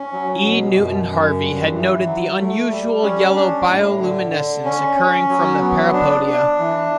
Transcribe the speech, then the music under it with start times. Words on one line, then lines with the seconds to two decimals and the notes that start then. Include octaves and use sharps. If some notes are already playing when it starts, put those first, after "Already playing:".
E. Newton Harvey had noted the unusual yellow bioluminescence occurring from the parapodia.
Already playing: C#4
0.12 F#3
0.45 B2
0.77 F#2
1.09 F#2
1.41 G2
1.74 E3
2.06 F#3
2.39 A3
2.70 G3
3.03 C#4
3.35 D4
3.68 A2
4.00 D3
4.32 D3
4.65 C#4
4.96 C#4
5.29 F#3
5.61 B3
5.93 D4
6.27 D4
6.58 E3